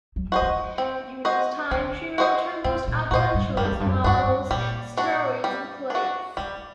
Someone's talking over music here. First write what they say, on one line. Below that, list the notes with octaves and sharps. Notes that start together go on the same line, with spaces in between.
During this time she wrote her most adventurous novels, stories and plays.
F#3
F#4 C5 D#5
D3
D#3
C4
F#4 C5 D#5
D3 C4
F#4 C5 D#5
C3 C4
A#2
A#2 F#4 C5 D#5
G2
F#2 G3
G2
F#2
G2
F#2
G2 D4 F#4
A#2 G3
D4 F#4
G3
D4 F#4
D3 G3